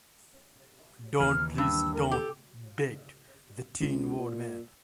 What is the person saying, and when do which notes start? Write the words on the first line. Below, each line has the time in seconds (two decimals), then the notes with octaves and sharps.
"Don't! please don't," begged the Tin Woodman.
1.20 D#2 E3 F6
1.58 G2 E6
1.94 A#4
2.11 G4 A4
3.80 C#2
4.18 A#2